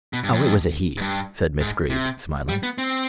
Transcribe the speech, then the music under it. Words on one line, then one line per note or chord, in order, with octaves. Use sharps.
"Oh, it was a 'he,'" said Miss Greeb, smiling.
B2
G2
F2
G#2
G2
G#2
C3
G3
B3
C4